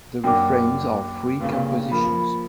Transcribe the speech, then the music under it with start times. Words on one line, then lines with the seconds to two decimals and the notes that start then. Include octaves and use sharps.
The refrains are free compositions.
0.24 F#2 A#3 D4 G5 D6
1.40 G2 A#2 C#3
1.92 F3 A#3 B5